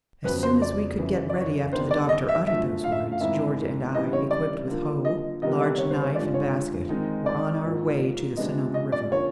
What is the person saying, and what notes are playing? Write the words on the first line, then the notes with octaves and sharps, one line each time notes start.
As soon as we could get ready after the doctor uttered those words, Georgia and I, equipped with hoe, large knife, and basket were on our way to the Sonoma River.
F2 C#3 F#3 B3 B4
C5
D5
F#2 C#3 E3
D5
C#5
D#3 G3 B3 D4 C5
D5
D#5
E5
F#2 D3 F3 A3 E5
F5
E5
F5
G#2 D#3 G#3 C4 E4 E5
C#3 E3 G3 C4 E4 D#5
C#5
D5
D3 F3 A#3
D#5
C3 D#3 G3 B3 D#5
D5
C#5
C5
C#5
G2 D3 F3 G#3 D5
C#5
D#3 G#3 C4 D#4
D5
G#2 F3 A#3
C3 F3 G#3 B3 D4 D#5
D#5
D5
D3 F3 A#3 C#4 C#5